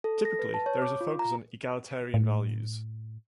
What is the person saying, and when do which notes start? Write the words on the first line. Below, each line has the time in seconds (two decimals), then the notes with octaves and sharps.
Typically, there is a focus on egalitarian values.
0.04 A4
0.25 A#6
0.39 B4
0.54 A5
0.66 C#5
0.82 D6
1.01 F4
1.19 A#5
2.14 A2